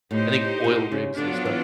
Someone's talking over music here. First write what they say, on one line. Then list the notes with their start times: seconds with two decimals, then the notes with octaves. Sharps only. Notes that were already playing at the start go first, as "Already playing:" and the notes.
I think oil rigs and stuff,
0.11 A2 D#4 G4 C5
0.64 B2
0.92 C#3
1.18 D3 F#3 B3 D4 F4
1.34 F3
1.45 E3